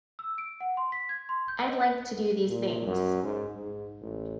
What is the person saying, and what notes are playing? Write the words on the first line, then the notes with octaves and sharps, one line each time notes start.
I'd like to do these things.
E6
D7
F#5
C6
B6
G#6
C6
G6
D#5
A#2
F#2
G#2
G#2
A1